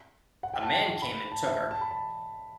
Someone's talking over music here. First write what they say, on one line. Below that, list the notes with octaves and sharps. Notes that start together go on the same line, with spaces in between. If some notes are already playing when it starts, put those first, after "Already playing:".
A man came and took her.
F#5
G5
A5
G5
A5
B5
A5
E5
A5
B5
A5